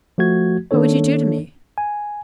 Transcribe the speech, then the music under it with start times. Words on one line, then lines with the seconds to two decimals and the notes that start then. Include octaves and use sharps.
"What would you do to me?"
0.18 F3 A3 F#4 G#6
0.71 D#3 A#3 D4 A4 C#5
1.78 G#5